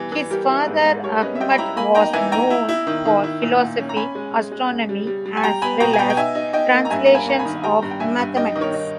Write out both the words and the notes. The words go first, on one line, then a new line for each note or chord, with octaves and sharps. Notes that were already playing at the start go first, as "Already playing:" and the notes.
His father Ahmad was known for philosophy, astronomy, as well as translations of mathematics.
Already playing: E3 G3 B3
E3
G3 G4 A#4
E4
G#2 G#4 B4
G#2
G3 A#4 C#5
C#4 B4 D#5
E5
G3 D#5 G5
B5
E4 G5 A#5
A#3 G#5 B5
D#4 G5 A#5
E3 E5 G#5
D#4 G5 A#5
E4
E4
D#3
D#3
E4
A#2
A#2
C#4
A#5
C#4 G#5 B5
G#3
G#3
G#3
C#3
G3
G3
G3
G#5
G3 G5 A#5
B3 G#5 B5
B2 G5 A#5
G#5
B3 G5 A#5
G5
D#4 E5 G#5
D#4
D#4 D#5 G5
A#3
A#5
G2 E5 G#5
A#3 A#5
G#5 B5
A#3 A#5
G#5 B5
D#3
G3 G5 A#5
G2
G5
G2 E5 G#5
G2
D#4 D#5 G5
D#3 D#5
A#4 C#5
D#4